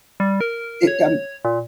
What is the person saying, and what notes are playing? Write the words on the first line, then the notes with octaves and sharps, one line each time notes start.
it, um
G3
A#4
C#5
A#2